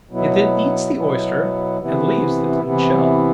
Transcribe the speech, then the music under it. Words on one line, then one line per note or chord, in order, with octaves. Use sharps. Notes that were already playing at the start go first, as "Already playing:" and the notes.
It then eats the oyster and leaves the clean shell.
B2 F#3 B3 E4
B2 F#3 B3 E4
C3 E3 B3 E4
C3 E3 B3 E4